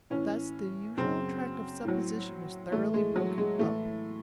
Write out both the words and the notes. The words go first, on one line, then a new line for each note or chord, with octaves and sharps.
Thus the usual track of supposition was thoroughly broken up.
A2 E3 C#4
F#2 C#3 F#3 C4
A2 F#3
A2 E3 A3
G#3
F#3
G#3
A2 E3 A3